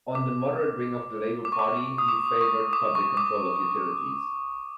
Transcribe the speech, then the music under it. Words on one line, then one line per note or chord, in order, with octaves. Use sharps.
On the moderate wing of the Labour Party, he favoured public control of utilities.
D6
D6
C#6
D6
D6
D#6
D6
C#6
D6
C#6
D6